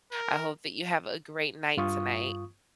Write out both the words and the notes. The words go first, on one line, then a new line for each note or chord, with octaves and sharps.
I hope that you have a great night tonight.
A#4
G2 F4 C#6 D#6